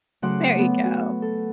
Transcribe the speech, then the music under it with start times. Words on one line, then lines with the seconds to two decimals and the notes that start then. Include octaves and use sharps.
There you go.
0.22 C#3 F#3 A3 F#5 C6 D6
0.55 A3 B3
0.84 F#4
1.22 A4